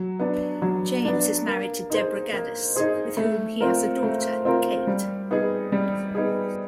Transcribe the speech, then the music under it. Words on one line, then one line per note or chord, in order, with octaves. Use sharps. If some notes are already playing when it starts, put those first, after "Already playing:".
James is married to Deborah Gaddas, with whom he has a daughter, Cate.
Already playing: F#3
B3 D4
F#3
B3 D4
A#3
D#4 G#4 C5
A#3
D#4 G#4 C5
A3
C4 F4 A#4
A3
C4 F4 A#4
G3
B3 D#4 G#4
G3
B3 D#4 G#4